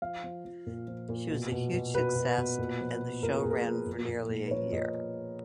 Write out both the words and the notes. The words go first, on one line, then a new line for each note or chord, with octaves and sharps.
She was a huge success and the show ran for nearly a year.
F3 F5
F3
F3
A#2
F3
A#2
B2
B2
B2
B2 B4
B2
B2
A#2
F3
F3
A#2 A#4
G#4
A#2
A#4
F3
A#2
A#2
A#2
B4
F3 C#5
A#2 D#5